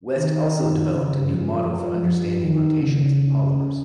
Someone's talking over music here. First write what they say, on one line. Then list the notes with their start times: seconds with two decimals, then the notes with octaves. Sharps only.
West also developed a new model for understanding rotations in polymers.
0.17 D#3
0.93 C#3
1.30 F3
1.68 F3
2.06 F3
2.43 D#3
2.80 C#3